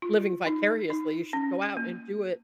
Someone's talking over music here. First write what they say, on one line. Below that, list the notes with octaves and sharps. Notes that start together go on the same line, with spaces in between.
living vicariously. You should go out and do it,
F4
D#4
D#4
C#4
A#3